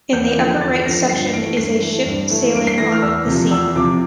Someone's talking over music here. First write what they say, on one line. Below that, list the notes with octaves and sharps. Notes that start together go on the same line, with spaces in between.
In the upper right section is a ship sailing on the sea.
E2 G6
D3 F3
G6
E2 A6
C7
D3 F3 A#6
G2 C7
E3 A3 D7
G2 C7
E3 A3
G2
E3 A3
G2 D7
C7
E3 A3 A#6
F6
E2 E6
C3 F3
E2 E6
C3 F3 D6